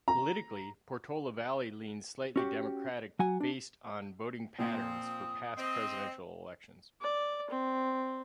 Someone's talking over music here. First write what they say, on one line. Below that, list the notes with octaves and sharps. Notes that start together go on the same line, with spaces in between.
Politically, Portola Valley leans slightly democratic based on voting patterns for past presidential elections.
A#5
C#4 F#4 G4
F#3 F#5 G#5
D4
A#2 F3 C4 D#6
C4 D#5
D5
C4